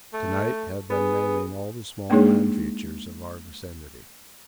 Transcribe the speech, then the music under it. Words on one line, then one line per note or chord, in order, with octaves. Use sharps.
To-night have been naming all the small land features of our vicinity.
A3
B3 G#4
G#3 A#3 D4 D#4 G#4 C#5